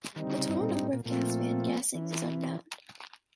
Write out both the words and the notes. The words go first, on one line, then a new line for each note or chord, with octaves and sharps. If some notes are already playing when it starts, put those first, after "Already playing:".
The total number of gas van gassings is unknown.
D#3 G3 C4 D#4
D3
C#3
G2
A#2
G#2
A2
A#2
A#2 F3 A3 C4 F4 A4
E3